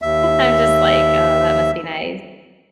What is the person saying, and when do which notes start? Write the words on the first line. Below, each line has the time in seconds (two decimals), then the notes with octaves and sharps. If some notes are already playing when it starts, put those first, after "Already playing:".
I'm just like, "Oh, that must be nice."
0.02 D#2 E5